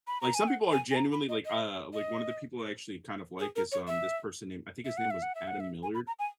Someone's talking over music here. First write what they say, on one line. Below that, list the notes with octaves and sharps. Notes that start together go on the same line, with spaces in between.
like, some people are genuinely like, uh like, one of the people I actually kind of like is, um, this person named I think his name was Adam Millard,
B5
A#5
G#5
F#5
G#5
G#5
A#5
B5
D#5
D#5
D#5
G#4
A#4
C#5
E5
E5
F#5
E5
F#5
E5
F#5
E5
G#5
B5
A#5
G#5